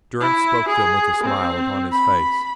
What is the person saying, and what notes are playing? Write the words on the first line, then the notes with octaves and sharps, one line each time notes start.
Durrance spoke them with a smile upon his face.
E4
G#4
C4
B5